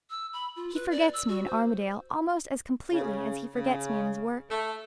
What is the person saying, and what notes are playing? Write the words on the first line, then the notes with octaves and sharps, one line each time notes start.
He forgets me in Armadale almost as completely as he forgets me in his work.
E6
B5
F4
B4
D5
E6
F#4
C5
C#3
C#3
A3